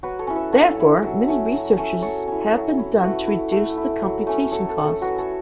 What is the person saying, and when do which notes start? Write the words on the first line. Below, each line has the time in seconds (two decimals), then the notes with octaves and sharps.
Therefore, many researches have been done to reduce the computation cost.
0.03 F#3 F#4 B4
0.19 A4 C#5
0.27 C#4 E4
0.36 B4 E5
0.53 F#3 A4 C#5
0.77 C#4 E4
1.02 F#3
1.28 A3 C#4
1.53 F#3
1.78 A3 C#4
2.02 F#3 A4 C#5
2.27 C#4 E4
2.53 F#3
2.77 C#4 E4
3.02 A3 F#4 B4
3.27 E4
3.52 A3
3.77 E4
4.02 F#3
4.27 A3 C#4
4.51 F#3 A4 C#5
4.69 A4
4.77 A3 C#4
4.85 A4
5.01 F#3 F#4 B4
5.18 A4 C#5